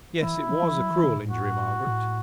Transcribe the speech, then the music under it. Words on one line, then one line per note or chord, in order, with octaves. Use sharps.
Yes, it was a cruel injury, Margaret.
E3 E4
E3
E3
F#3
E3
D3
A2
F#4
A2